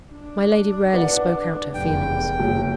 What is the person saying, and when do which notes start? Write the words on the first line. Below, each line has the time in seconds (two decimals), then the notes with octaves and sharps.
My lady rarely spoke out her feelings.
0.12 D4
0.94 B4 D5 F#5
1.74 F1 E2 G5
2.40 F#1